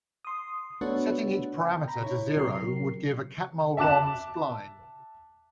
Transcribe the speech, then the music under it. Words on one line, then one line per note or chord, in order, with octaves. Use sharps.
Setting each parameter to zero would give a Catmull-Rom spline.
C6 D#6
A3 B3 D4 F#4 B4 C#5
G5
A#5 B5
E4 C#5
C3 F#3 A#4 C7
E5 A5 D6 F#6 E7